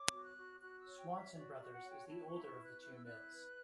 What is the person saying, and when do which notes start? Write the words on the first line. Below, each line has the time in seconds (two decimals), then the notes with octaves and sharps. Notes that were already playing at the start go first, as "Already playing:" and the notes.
Swanson Brothers is the older of the two mills.
Already playing: C#5 D6
0.12 F#4
0.24 F#6
0.37 F#4
0.61 F#4 F#6
0.79 E6
0.86 C#5
0.97 G5
1.10 C#5
1.16 E5
1.34 F#4 D5
1.53 D5
1.60 F#4
1.72 F#5
1.84 C#5
1.90 G5
2.08 E4 A5
2.27 C#6
2.33 E4
2.45 C#6
2.57 B4
2.64 F#6
2.82 E4 F#6
2.94 E6
3.06 E4 F#6
3.31 B4